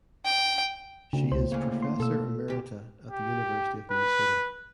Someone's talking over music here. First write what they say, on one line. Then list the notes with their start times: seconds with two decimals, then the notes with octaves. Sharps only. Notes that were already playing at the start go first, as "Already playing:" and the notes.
She is Professor Emerita at the University of Minnesota.
0.25 G5
1.13 D2 C#3
1.32 C#2 A2 C5
1.52 D2 C#3 A#3
1.82 C6
2.00 B2 A4 E6
2.48 D2 G4
3.11 G4
3.91 B4